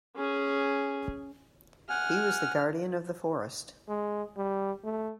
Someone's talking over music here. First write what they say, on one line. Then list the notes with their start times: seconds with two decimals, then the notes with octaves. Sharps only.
He was the guardian of the forest.
0.16 C#4 G#4
1.90 F#5 G#5 F6
3.89 G#3
4.37 G3
4.85 A3